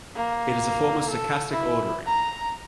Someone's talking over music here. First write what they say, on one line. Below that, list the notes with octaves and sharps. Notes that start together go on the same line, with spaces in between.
It is a form of stochastic ordering.
A#3
A4
E4
A#5